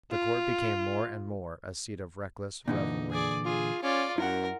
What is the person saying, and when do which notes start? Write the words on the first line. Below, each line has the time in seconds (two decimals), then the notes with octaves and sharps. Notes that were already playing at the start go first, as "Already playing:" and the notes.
The court became more and more a seat of reckless revelry.
0.11 F4
2.68 A#2 D3 E3 D#4
3.12 G#4 D5
3.45 F4 G#4
3.82 C#4 F4 D5
4.18 F#2 E4 A#4 F#5